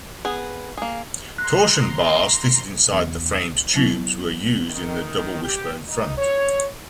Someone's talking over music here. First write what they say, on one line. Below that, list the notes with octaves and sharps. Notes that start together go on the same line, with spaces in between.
Torsion bars fitted inside the frame's tubes were used in the double wishbone front.
B3 G#4
A#3 G#4
A#5 C6 F#6
E2
F#3 B3 E4
D#3
G4
D#4
C#5